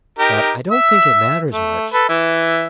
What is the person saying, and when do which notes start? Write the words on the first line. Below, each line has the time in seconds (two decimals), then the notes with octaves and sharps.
"But I don't think it matters much."
0.19 D#4 G4 A#4
0.71 E5 E6
1.51 A3
1.93 A4 B4
2.09 E3 E5